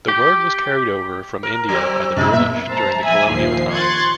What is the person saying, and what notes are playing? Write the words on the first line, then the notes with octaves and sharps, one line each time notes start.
The word was carried over from India by the British during the colonial times.
G4
A#4
F#3 C4
A1 F#2 C3 G3 D#4
A#2 B3 E5
C5 A5 A#5
E5 G#5 B5 D#6
D#2 A#2 F3 C7
C6 C#6 F#6 G#6 A6 C7